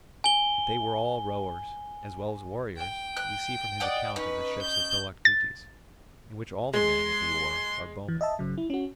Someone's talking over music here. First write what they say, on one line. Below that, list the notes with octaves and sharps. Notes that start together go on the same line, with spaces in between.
That they were all rowers as well as warriors we see from his account of the ships of Philoctetes, in which all the men at the oar are bowmen.
G#5 G7
G5
F#6
D5 D#5 F#5
C#4 D#4 B4
G6
A6
G#3 C6
E3
D#5 E5 A5
G1 C#3 F#3
E4
C#4 F#4